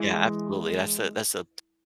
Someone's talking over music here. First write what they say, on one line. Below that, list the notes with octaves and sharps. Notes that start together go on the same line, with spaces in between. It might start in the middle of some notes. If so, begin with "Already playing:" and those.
Yeah, absolutely that's a that's a
Already playing: E3 G#3